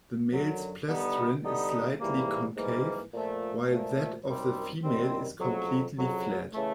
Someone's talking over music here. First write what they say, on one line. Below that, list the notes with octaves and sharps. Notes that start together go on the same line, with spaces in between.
The male's plastron is slightly concave, while that of the female is completely flat.
F#2 D3 F#3
D3 G3 B3 D#4
D3 G3 B3 D#4
G#2 E3 G3 A#3
G#2 E3 G3 A#3
A#2 F3 A3
A#2 F3 A3
F#2 D#3 G3 C4
F#2 D#3 G3 C4
F2 C#3 F#3
F2 C#3 F#3
C#3 E3 A3